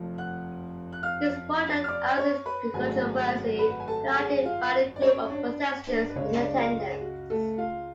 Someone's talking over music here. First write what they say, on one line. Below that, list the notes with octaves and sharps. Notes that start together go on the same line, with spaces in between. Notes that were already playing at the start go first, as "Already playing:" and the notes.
This project has its controversy, highlighted by a group of protesters in attendance.
Already playing: F1 F2 F3 A3
F#5 F#6
F#6
F5 F6
F6
D5 D6
C#5 C#6
B4 B5
G#1 G#2 F#3 A3 G#4 G#5
B4 B5
F#5
G#5
A4 A5
F#5
G#4 G#5
F4 F5
D5
C#4 C#5
D4 D5
D4 D5
B4
C#2 C#3 G#3 C#4 C#5
D4 D5
F4 F5
G#4
G#4
F#4
A3 A4
F4 F5